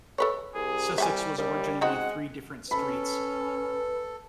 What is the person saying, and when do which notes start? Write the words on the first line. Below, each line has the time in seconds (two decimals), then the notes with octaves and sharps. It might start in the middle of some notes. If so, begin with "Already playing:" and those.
Sussex was originally three different streets.
0.18 A4 B4 C#5
0.55 C2 G#4
0.98 G3 E5 F#5 G#5
1.38 D#2 G3
1.81 G#3 C4 D#4 F#4 F#5
2.71 C#4 A4 B4 B5